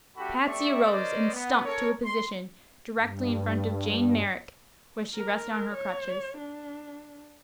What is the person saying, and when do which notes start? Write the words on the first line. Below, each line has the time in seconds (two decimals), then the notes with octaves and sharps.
Patsy arose and stumped to a position directly in front of Jane Merrick, where she rested on her crutches.
0.17 A3 D4 F#4 G4 A4 B5
0.46 A3 C4 G4 D5 E5 C#6
0.91 C#4 A#4 C5 D5 D#5
1.33 B3
1.65 C#4 A4 A#4 C#5
2.05 C6
2.98 G2
5.15 A#4
5.74 C#5
6.38 D4